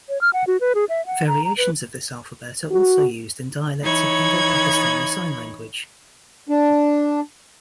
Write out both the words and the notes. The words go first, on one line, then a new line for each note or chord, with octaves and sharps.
Variations of this alphabet are also used in dialects of Indo-Pakistani Sign Language.
C#5
F6
F#5
F#4
B4
G#4
E5
F#5
A#5
A#5
B4
F#4
E3 D#4 C#5 B5 G#6
D4